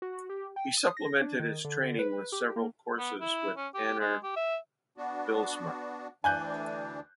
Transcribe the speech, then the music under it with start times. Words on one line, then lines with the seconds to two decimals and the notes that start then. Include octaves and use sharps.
He supplemented his training with several courses with Anner Bylsma.
0.02 F#4
0.29 G4
0.56 G5
0.78 D#6
0.97 A#6
1.21 D4
1.40 D#3
1.65 D3
1.99 B4
2.32 G4
2.56 A#3
2.98 B3
3.21 E4
3.57 C#4
3.74 G4
4.00 G#3
4.23 G4
4.36 E5
4.97 B3 D4 F#4
6.24 D2 E3 D4 G#5 F#6 G6